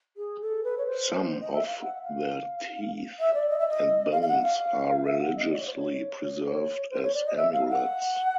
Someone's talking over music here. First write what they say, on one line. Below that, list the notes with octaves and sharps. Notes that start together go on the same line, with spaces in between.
Some of their teeth and bones are religiously preserved as amulets.
G#4
A4
B4
C#5
C5
D#5
E5
F5
F#5
F5
E5
D5
D#5
E5
D#5
F5
F5
F#5
F5
E5
F#5
D#5
D5
C#5
C5
C#5
C#5
C5
C#5
D5
D#5
E5
F5
F#5